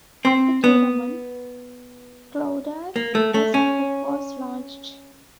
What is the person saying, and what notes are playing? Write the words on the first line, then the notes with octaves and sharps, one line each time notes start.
At the tournament Klouda's first book was launched.
C4
B3
A#3
A3
A3
C#4